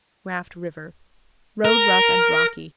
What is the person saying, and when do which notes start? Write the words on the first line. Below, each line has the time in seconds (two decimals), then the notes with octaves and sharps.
Raft River.--Road rough and rocky.
1.65 A#4